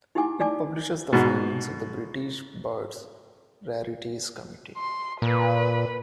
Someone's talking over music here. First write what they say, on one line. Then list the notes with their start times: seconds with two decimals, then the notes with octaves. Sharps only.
It publishes the findings of the British Birds Rarities Committee.
0.15 D#4 E4 G4 F#5 G#5 D6
0.40 D5 G#5 A5 D6
1.13 G#2 B2
4.77 C6
5.22 A#2 B4